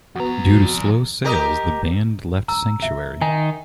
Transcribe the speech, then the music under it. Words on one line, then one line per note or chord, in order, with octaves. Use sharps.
Due to slow sales, the band left Sanctuary.
F2 B3 F#4 A#5
G4 A#4 D#5
A#5 E6
E5
D#3 D#4 G#5